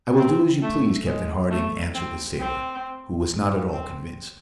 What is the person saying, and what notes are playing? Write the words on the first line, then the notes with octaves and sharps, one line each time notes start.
"I will do as you please, Captain Harding," answered the sailor, who was not at all convinced.
C4
A3
G#3
A3
C4
C4
C4